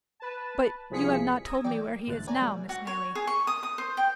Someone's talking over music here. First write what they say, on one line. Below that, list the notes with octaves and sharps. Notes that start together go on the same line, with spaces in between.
But you have not told me where he is now, Miss Maylie.
B4 A5
C2 F3 G#4 B6 C#7
A#5 D#6 E6 G#6 A#6
E3 F#3 D5 G5 D6
A#3
A1 G#2 D3 A3 F#6 A6
B4 C#5 D5 F#5 G#5 A#5
B2 G3 A3
F#4
C#5
G#4
C#6
D#6
D#6
C5
G5